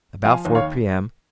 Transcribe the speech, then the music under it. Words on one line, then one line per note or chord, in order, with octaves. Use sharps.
About four p.m.
F3 F5 G#5
D#2
C#5 F5